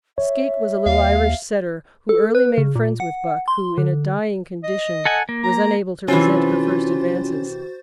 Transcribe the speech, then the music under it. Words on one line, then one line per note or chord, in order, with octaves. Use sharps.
Skeet was a little Irish setter who early made friends with Buck, who, in a dying condition, was unable to resent her first advances.
C#5 E5
D#2 F5
A4
B4
C#3
A#2
F#5
C6
D3
D#5
A4 F#5 G#5
A#3
A#5
C3 E3 C#4 F4 F#4 C5 A6